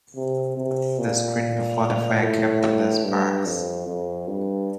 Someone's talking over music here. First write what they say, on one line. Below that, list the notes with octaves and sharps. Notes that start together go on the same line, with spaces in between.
The screen before the fire kept in the sparks.
C3
C3
A#2
A2
G2
F2
F2
G2